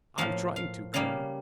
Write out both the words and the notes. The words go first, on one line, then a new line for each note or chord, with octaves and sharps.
"I'm trying to, Colonel."
A2 F3 A#3 F5
F5
C#3 G3 A#3 F5